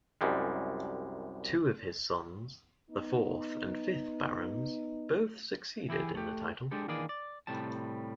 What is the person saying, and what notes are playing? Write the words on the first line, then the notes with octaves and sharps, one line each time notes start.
Two of his sons, the fourth and fifth Barons, both succeeded in the title.
C2 F#2 G3 G#3
B3 D#4
E3 E4 G4 G#4
A3 G4
G#3 D4 G4 A4
D#3 E3 A#3 D4 G#4 D5
D5
A2 C3 G3 A5